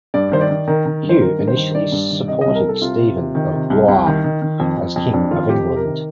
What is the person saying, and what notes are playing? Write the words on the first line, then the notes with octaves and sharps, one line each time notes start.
Hugh initially supported Stephen of Blois as king of England.
G2 D5
D#3 C5
D5
D#3
D#3 A#4
D#3
G2
C5
D#3 A#4
G2
C5
D#3
G2 D5
G2
D#3
C3 D#5
D#5
C2
A#4
C2 A4
C3 F4
C3
C3
D#3
C3
C2
C2
D#3
D#3
D#3
F2
F2
F2
F2 D4
D#3 F4
F2 G4
C3
A#4
D#3